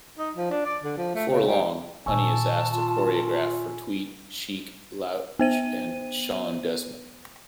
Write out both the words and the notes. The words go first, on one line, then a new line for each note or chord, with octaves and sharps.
Before long, Honey is asked to choreograph for Tweet, Sheek Louch, and Shawn Desman.
D#4
F3
D4
D5
D3
F3
A3
C#3
G3
A#2 D#3 G#5 A5 C#6 E6
F4
B3 C5 D#7